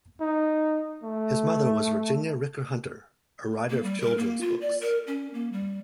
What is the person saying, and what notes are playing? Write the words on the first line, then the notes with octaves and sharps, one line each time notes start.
His mother was Virginia Ricker Hunter, a writer of children's books.
D#4
A3
A#3
G3
A#4
A#3
F4
D5
A#4
C#4
A#3
G3